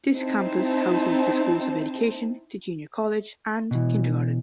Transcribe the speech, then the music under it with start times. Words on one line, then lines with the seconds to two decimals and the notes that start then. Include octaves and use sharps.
This campus houses the Schools of Education, the Junior College, and Kindergarten.
0.14 C4 D#4 E4 C5 A5
3.71 B2 E3